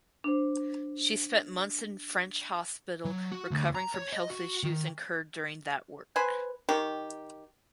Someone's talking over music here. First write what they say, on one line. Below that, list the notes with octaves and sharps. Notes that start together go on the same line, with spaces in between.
She spent months in French hospital recovering from health issues incurred during that work.
D4 C5
F#3
F#4
D2
A#5
C#5
D#5
F#4
D#3
B4 C5 G#5
D#3 G4 C#6